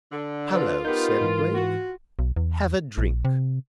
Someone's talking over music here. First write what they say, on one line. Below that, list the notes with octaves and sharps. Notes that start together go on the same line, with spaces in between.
"Hallo," said Blake, "have a drink."
D3
F4 B4 D5
B3 D#4 G4 A#4 G6
G#2 E3
F#4
B1
E2
A#1
C3